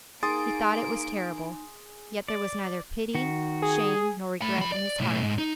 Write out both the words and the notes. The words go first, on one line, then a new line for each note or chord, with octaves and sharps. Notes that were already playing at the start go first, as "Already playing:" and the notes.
He thought it was terrible, yet there was neither pity, shame nor regret in his heart.
A#3 D#4 G#4 C6 D#6 A6 D7
D5
D#3 F#4
G#4
A3 B5
F3 B5
D5
B1 A2
G#2
D#4